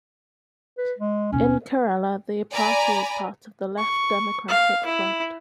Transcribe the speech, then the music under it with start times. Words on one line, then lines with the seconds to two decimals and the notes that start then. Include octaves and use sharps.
In Kerala, the party is part of the Left Democratic Front.
0.78 B4
0.98 G#3
1.32 D#2 B2 C#4
2.52 D5 G#5 A#5 B5
3.78 C#6
4.48 F5
4.85 E4